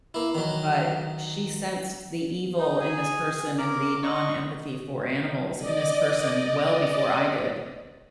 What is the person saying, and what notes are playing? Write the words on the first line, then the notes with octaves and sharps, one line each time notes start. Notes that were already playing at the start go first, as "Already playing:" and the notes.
but she sensed the evil in this person and the non-empathy for animals in this person well before I did,
A#3 E4
D#3 F#3
D#4
G#4 G#5
A#4 D6
D#5 C#6
D5 D#5